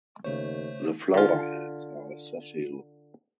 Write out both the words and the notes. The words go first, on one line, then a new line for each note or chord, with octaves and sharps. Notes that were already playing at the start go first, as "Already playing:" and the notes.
The flower heads are sessile.
D#2 C#3 A3 C5 C#5
D3 F4